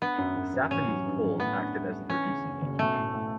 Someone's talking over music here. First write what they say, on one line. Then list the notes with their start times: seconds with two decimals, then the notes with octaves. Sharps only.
The sap in these poles acted as the reducing agent.
0.02 B3 D4
0.18 F#2
0.36 F#2
0.54 F#2
0.71 A1 C#4
0.88 F#3
1.06 G2
1.23 A1
1.40 A2 B3
1.58 D4
1.75 G3
1.92 D4
2.10 E3 C#4
2.27 C#3
2.45 F#1
2.62 F#1
2.79 B1 A3
2.96 A2
3.14 A2